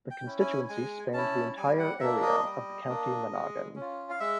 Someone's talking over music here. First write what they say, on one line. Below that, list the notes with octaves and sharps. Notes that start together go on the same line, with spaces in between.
The constituency spanned the entire area of the County Monaghan.
G5
C#4 E4
G#5
G#3 G#5
C#4 E4 A5
G3 G#5
F#5
A#3 D4 E5
D#5
G3
A#3 D4
G#3
C#4
F4
F5
G#3 E5